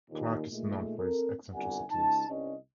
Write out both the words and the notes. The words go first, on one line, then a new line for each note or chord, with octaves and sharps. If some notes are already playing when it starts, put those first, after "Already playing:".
Clark is known for his eccentricities.
D#2 A#2
A#2 D#3 G#3 A3
C4 A4 A#4
G1 C2 C3 F#5 G#5
C#2 D#4 A5
C2 G2 C#4 D#5